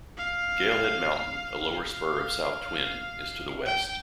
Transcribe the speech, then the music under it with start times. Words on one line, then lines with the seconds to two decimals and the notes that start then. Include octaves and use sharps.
Galehead Mountain, a lower spur of South Twin, is to the west.
0.17 F5
1.92 F5
3.65 G5